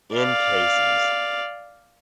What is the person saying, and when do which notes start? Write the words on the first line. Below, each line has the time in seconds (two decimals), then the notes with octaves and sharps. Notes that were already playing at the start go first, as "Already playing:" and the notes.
in Casey's,
0.15 D5 F5